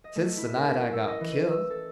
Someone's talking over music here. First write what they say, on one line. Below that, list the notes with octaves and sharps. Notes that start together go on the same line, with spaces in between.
"Since the night I got killed."
D#5
A3
E4
A#4
C#4
E6
D#5
E3
D#7
E6
A4